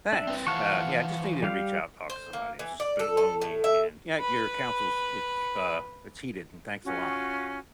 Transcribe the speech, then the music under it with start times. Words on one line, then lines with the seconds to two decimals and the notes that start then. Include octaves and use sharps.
Thanks, uh, yeah, I just needed to reach out and talk to somebody, it was just a bit lonely, and yeah, your counsel's it's, uh, it's heated, and thanks a lot.
0.13 D4 E5
0.27 C4 B4
0.47 E3 F3 F5 F#5 A5 C#6
1.43 G3 G4 F5
2.10 C5
2.33 A#3
2.59 E3
2.80 D5
2.99 A4
3.17 A4
3.42 A2
3.64 E5
4.20 B4 B5
6.84 C#4 F4 F#4